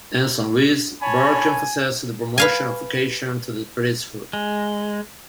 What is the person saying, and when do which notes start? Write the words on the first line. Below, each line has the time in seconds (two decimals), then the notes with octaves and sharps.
In Saint Louis, Burke emphasized the promotion of vocations to the priesthood.
1.02 C#5 G#5 A5 B5
2.38 B4 F5 G#5
4.33 G#3